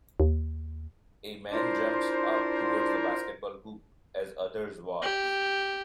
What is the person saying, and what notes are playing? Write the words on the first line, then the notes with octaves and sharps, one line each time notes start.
A man jumps up towards the basketball hoop as others watch.
D#2
D4 E4 F4 A#4 C5
G4